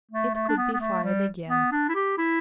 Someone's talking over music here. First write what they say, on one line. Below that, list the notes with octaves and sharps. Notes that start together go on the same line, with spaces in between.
It could be fired again.
A3
A3
D4
B3
B3
A3
G3
B3
D4
E4
G4
E4